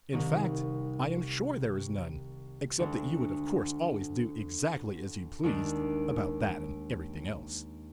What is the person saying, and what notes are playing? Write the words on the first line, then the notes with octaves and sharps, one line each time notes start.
"In fact, I am sure there is none, except that you would of course always do exactly as you pleased about that and everything else."
C2 C3 D#3
D2 D3 G#3 D4
D#2 D#3 G#3 D4